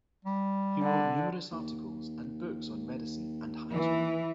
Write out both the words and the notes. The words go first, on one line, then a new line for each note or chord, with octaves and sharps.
He wrote numerous articles and books on medicine and hygiene.
G3
D3
D#2
E3